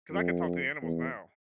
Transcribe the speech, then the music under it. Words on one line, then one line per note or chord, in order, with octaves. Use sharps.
cause I could talk to the animals now,
F2
E2